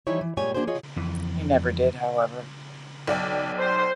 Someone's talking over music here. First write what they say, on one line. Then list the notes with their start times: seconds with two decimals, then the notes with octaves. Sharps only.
He never did, however.
0.07 E3 F3 G3 D#4 E4 C#5
0.21 E3
0.37 G2 A#2 G3 G#3 C#5 G#5
0.54 F3 A#3 D4 F#4 G#4 C5
0.67 F4 G#4 C#5 D#5
0.96 F2 E3
3.07 B1 D5 G5
3.59 C5